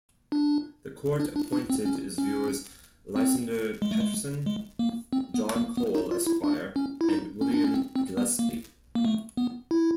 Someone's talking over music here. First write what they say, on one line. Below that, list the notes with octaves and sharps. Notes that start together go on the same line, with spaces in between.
The court appointed as viewers Lysander Patterson, John Cole, Esquire, and William Gillespie.
D4
D4
D4
D4
C4
C#4
C#4
C4
G#3
A3
G#3
G#3
A#3
C4
B3
A#3
B3
D#4
F4
E4
D4
C#4
E4
D#4
C#4
D4
C#4
C4
C4
B3
A#3
A#3
A3
B3
E4